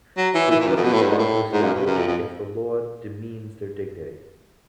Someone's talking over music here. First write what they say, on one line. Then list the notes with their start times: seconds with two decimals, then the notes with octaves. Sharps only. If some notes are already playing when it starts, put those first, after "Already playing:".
Their purpose are to establish if the law demeans their dignity.
0.17 F#3
0.34 E3
0.50 E3
0.60 A#2
0.67 F#2
0.77 F2
0.84 B2
0.93 A2
1.02 G2
1.09 G#2
1.19 A2
1.53 G#2
1.63 F#2
1.74 G2
1.86 F#2
1.98 F2
2.08 F2